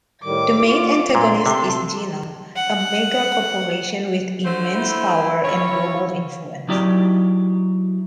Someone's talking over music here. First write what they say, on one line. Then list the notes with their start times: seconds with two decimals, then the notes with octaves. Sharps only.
The main antagonist is Genom, a megacorporation with immense power and global influence.
0.23 A2 D#3 G3 D6
0.64 F4
1.15 A#2 F#4 C6
1.46 C3 A4 A5
2.56 F#5
4.45 D3 A3 C5
4.75 E4
5.44 F2 F4 C#5
6.68 F#3 D#4 E4 G4 D5